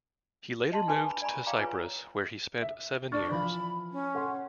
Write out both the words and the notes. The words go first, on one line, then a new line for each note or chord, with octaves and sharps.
He later moved to Cyprus where he spent seven years.
D#5 A5 C6
D4 G#4 B4 G#5 A5 C6
B5
D5 G#5 A#5 B5 C#6
D5 F5 G5 A#5 C#6 D6
F4 G#4 B4 C#5 G#5
E5
D4 C#6 F6 A6
E3 F3 B5
C#4
A4 F#5 C6